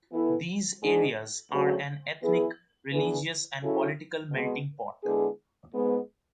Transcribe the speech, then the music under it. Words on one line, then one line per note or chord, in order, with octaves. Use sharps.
These areas are an ethnic, religious and political melting pot.
E3 B3 E4 A4
G#2 G#3 D4 G#4
D2 C#3 F#3 C#4
E3 B3 E4 G#4
E3 B3 D4 G#4
C#3 F#3 C#4 E4 A4
B2 G#3 B3
D3 G#3 B3 E4 G#4
G#2 G#3 B3